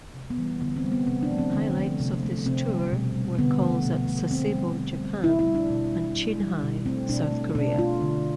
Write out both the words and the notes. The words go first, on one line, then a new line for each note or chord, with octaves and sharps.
Highlights of this tour were calls at Sasebo, Japan, and Chinhae, South Korea.
C3
B3
E3 G3
D3 B3
C4
G3
B3
C3 C4
D4
F3 A3
C4
D3 C4
F3 A3
C3
F3 A3
C3 C4
G3
B2
G3
D3 B3
F3 A3
B2
A3
D3 C4
G3
B2
G3
B2 E4
E4
G3
D4
B2
G3
B2
G3
B2
A3 C4
B2 D4
A3
B2 D4
A3 F4
D3